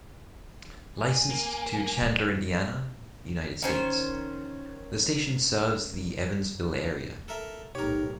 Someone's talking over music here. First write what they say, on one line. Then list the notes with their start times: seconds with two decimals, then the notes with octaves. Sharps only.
Licensed to Chandler, Indiana, United States, the station serves the Evansville area.
0.98 G#5
1.30 A#3
3.62 D#3 C#4 C5
7.28 A4 A#4 E5
7.75 B1 A2 D#4 G4 A#4 C#5